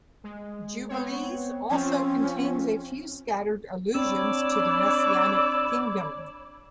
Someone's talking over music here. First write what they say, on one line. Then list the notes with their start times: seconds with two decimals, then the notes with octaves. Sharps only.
"Jubilees" also contains a few scattered allusions to the Messianic kingdom.
0.24 G#3
0.89 B3 C4 C#5
1.71 F3 C4 C#4 F4
3.95 C4 D4 C#5 D5 B5 D6 E6